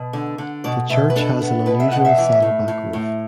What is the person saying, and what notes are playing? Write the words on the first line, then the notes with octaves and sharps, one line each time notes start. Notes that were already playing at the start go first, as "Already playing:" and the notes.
The church has an unusual saddleback roof.
Already playing: B2
D3
D3
B2 D5
B2 E5
B4
D4 A4
B3
B2 B4
E5
B2 F#5
E5
E3
A2
A2
A2